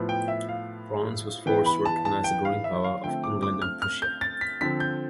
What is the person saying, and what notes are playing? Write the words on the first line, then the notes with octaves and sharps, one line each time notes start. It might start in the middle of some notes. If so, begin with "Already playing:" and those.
France was forced to recognize the growing power of England and Prussia.
Already playing: A2 F3 B3
G5
E5
F5
E3 B3 G5
B5
A5
A5
G5
F5
E5
F5
D3 F3 A3 C4 G5
D6
D6
F6
F6
G6
A6
B6
D3 F3 C4 B6
G6